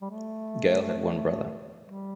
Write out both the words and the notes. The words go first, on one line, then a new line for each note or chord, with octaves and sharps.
Gale had one brother.
G3
A3
G3